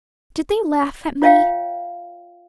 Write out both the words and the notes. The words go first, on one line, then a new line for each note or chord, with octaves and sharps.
"Did they laugh at me?"
F4 C#5 E5 F5 G5